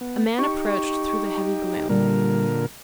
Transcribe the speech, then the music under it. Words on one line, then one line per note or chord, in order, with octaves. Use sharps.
A man approached through the heavy gloom.
B3
D#4 G4 C#6
A#2 D3 G3 A#4